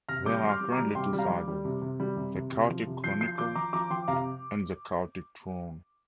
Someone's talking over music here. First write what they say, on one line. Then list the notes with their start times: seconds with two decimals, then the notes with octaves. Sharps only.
There are currently two sagas: "The Chaotic Chronicle" and "The Chaotic Throne".
0.08 C3 F6 A#6
0.26 G3 D6 G6
0.43 G3
0.49 C6 F6
0.61 G3
0.72 A#5 D6
0.78 G3
0.95 C3 G5 C6
1.13 G3
1.18 F5 A#5
1.30 G3
1.48 G3
1.65 C3
1.82 C3
2.00 G3
2.17 C3
2.34 C3
2.52 C3
2.69 F3
2.87 C3
3.04 F3 G6 C7
3.21 F3 G6 C7
3.38 F3 D6 G6
3.55 F3 A#5 D6
3.73 F3 A#5 D6
3.90 F3 G5 C6
4.08 C3 F5 A#5